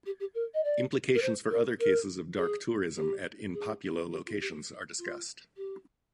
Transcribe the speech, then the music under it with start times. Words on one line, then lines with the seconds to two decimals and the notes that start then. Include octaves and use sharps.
Implications for other cases of dark tourism at "in populo" locations are discussed.
0.05 G4
0.20 G4
0.34 A#4
0.54 D#5
0.63 D5
1.14 A#4
1.21 C5
1.50 A#4
1.79 A#4
2.37 G#4
2.95 G4
3.53 G#4
4.11 G4
4.26 F4
4.40 G4
4.98 F4
5.56 G4